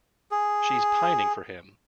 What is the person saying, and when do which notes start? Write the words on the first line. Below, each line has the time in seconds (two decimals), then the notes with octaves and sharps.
She's pining for him.
0.31 G#4